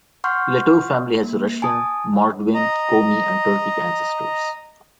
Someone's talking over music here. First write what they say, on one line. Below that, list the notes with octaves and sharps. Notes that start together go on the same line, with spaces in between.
Letov family has Russian, Mordvin, Komi and Turkic ancestors.
F#5 C6 C#6 F6 G6
A#3
G#5 A5 D#6
D#5 A#5